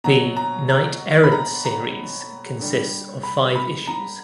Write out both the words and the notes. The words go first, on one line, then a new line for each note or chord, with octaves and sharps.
The "Knight Errant" series consist of five issues.
B2 F#3 A#5
A#5
A#5
B5
A#5
A#5
D3 G3
B5
B5
A#5